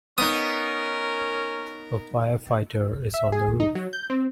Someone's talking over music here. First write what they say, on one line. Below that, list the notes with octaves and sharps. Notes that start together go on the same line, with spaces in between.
A firefighter is on the roof.
B3 C#4 D#4 A#4 D#6
E5
G#4
D#4
F#3
G6
C4